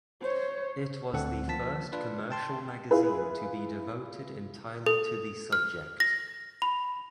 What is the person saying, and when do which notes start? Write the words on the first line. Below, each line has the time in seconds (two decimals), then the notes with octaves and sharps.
It was the first commercial magazine to be devoted entirely to the subject.
0.21 C5 C#5
1.13 D2 A2 D3 C4 A4 F#5
1.48 F3 A#3 A5 B6
1.93 D4 F4 B4
2.31 G5 A5 C6
2.91 E4 F4 G#4 B4
4.86 A4
5.53 F6
6.00 A#6
6.62 B5